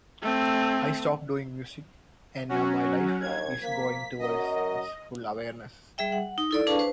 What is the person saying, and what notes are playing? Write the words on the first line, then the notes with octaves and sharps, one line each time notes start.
I stopped doing music, and now my life is going towards its full awareness.
A3 C4
F#3 C#4 F#4
A#1 D#2 G#6
F3 A#3 B6
F#2 F#3 A#4 D#5
G3 G#4 E5 G5
F#5
D#4
E4 A4 D5
D4 G#4 B4 F5 A5 C#6
B4 C5